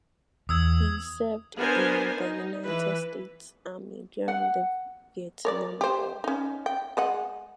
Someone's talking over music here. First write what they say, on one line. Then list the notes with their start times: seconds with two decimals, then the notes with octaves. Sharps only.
He served in the United States Army during the Vietnam War.
0.49 E2 D#6 E6 G#6
1.57 B3 D4 A#4 C5 G#5
2.17 D#4
2.64 E3 B4
4.28 F#5
5.45 A#4 C#5 D5
5.81 G4 C5
6.24 C#4 D#4
6.66 G5
6.97 G#3 D#5 F#5